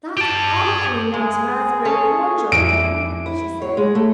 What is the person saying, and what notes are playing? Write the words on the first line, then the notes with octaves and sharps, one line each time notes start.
"That's awfully nice raspberry cordial, Anne," she said.
G4 A5
G#3 G#4
C#4 A4 C#5
F2 D4 E4 D7
E4
C#5
G#3
A3